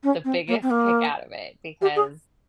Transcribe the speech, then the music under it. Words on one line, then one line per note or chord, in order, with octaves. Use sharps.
the biggest kick out of it because,
C#4
C4
A#3
C4
A#3
G4
G#4